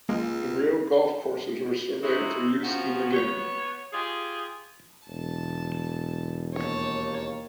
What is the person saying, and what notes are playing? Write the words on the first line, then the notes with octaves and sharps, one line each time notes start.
The real golf courses were surveyed for use in the game.
C#2 G#3 A#3
A#2 F#3 D#4 E4
D#3 F3 C#4 F4 F#4
B3 C#5
F4 G4 G#4
E1 A5
D#2 D#3 A#3 C#5 A5